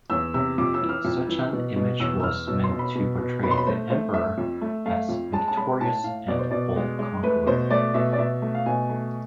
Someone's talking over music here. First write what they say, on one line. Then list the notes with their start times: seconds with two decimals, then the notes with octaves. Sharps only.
Such an image was meant to portray the Emperor as victorious and all-conquering.
0.10 E2 E6
0.34 C3 E6
0.58 F2 D6
0.74 E6
0.82 E3
0.89 F6
1.05 F2
1.28 E3
1.53 B2
1.76 B2
2.00 E2 E6
2.20 E6
2.23 E2 F6
2.47 B2 E6
2.64 C6
2.71 B2
2.79 B5
2.95 B2
3.19 B2
3.43 B2 B5
3.51 C6
3.57 B5
3.66 A3 C5
3.90 A3 C5
4.14 A3 E5
4.38 F2
4.61 A3
4.86 A3 F5
5.09 F2
5.32 G#3 A5
5.48 A5
5.57 G#3 B5
5.80 A2 A5
6.04 A2 F5
6.28 B2 D5
6.39 C5
6.51 B2 D5
6.76 G#3
6.99 G#3
7.23 A3 B4
7.46 B2 C5
7.70 A3 D5
7.94 B2 E5
8.13 D5
8.18 B2 E5
8.42 A3
8.54 F5
8.66 B2 G#5
8.90 A3